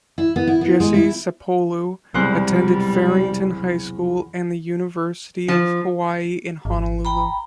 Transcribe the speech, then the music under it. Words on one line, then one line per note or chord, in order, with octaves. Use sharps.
Jesse Sapolu attended Farrington High School and the University of Hawaii in Honolulu.
E4
B3
E4
B3
G#3
E4
B1 E2 C3 G3 G#3 C5 F#6
F3
G#1
G5 A#5 B5